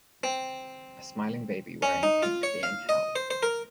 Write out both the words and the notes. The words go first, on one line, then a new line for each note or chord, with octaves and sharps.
A smiling baby wearing pink being held.
C4
C#4
D#4
F4
C#5
F5
D#5
C5
C5
A#4